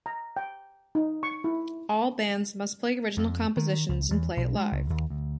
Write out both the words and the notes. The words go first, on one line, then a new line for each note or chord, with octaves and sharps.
All bands must play original compositions and play it live.
A#5
G5
D#4
C#6
E4
F2
D#3
C#2
E2
B1
G#3
C#2
D#2
D2